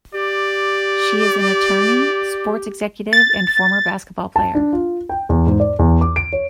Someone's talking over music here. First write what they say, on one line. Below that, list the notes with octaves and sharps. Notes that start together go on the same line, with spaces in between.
She is an attorney, sports executive, and former basketball player.
G4 D5
A6
A5
D4
F4
G5
E2
G#2
D5
E2
D6
D7
C#5